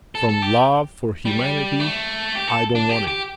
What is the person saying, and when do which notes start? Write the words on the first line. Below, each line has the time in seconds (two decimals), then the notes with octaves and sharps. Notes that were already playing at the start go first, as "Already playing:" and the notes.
From love for humanity I don't want it.
0.15 A4
0.29 A4
0.42 G4
1.25 G3
1.80 A3
2.35 G4
2.48 A4
2.75 D4
2.89 G4
3.07 G4